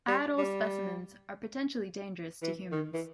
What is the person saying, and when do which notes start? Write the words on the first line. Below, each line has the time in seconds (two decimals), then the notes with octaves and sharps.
Adult specimens are potentially dangerous to humans.
0.08 G3
0.38 G3
2.42 E3
2.72 D#3
2.94 E3